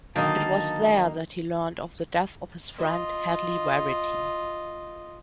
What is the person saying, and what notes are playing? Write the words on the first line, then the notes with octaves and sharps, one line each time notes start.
It was there that he learned of the death of his friend, Hedley Verity.
D3 D#3 F#3 A#3 D#4 A5
F4 D#5